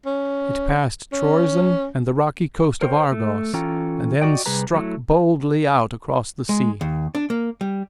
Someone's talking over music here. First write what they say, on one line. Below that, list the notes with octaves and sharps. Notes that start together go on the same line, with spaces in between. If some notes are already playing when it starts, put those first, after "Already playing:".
It passed Troezen and the rocky coast of Argos, and then struck boldly out across the sea.
C#4
C#4
A#4 C5 C#5 D#5 G5
A3
E3 C#4 F4 A4 G5 A#5
F#4 D5 D#5 G5
C3 G3 G#4 B4 A#5
F#3 A3 E4
G#3
D#2
D4
A#3
G3